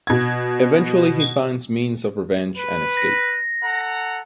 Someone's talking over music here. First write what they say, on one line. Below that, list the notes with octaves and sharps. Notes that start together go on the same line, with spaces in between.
Eventually he finds means of revenge and escape.
B2 G#6
B4
A#6
A4 F#5 A#5